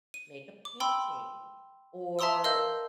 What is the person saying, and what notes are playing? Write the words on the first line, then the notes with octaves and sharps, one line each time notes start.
make a painting, or
D#7
D6
G5 B5 C6 E6
E5 A5 A#5 C6 D#6 E6
A#4 D#5 F5 E6 G6